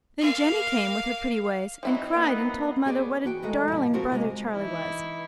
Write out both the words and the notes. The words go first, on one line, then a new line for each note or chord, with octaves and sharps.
Then Jenny came with her pretty ways, and cried, and told mother what a darling brother Charley was.
A#3 F5
F3 C4 D#4 E4 F#4
A#3 B3
B3 G#4 C#5 D5
E3 F#4 G5
D#3 G#3 A3 F#4
B2 F3
B3 C4 F4 F#4 A#4 C5
C3 G#3
E3 D#4 E4